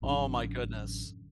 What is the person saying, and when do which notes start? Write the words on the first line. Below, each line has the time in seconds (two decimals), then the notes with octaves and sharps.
oh my goodness.
0.02 A1 F#2 D3